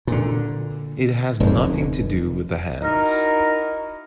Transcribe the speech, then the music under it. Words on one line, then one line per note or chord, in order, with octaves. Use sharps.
It has nothing to do with the hands.
A#2 D3
F1 D#2
D#4 E4 F#4 A#4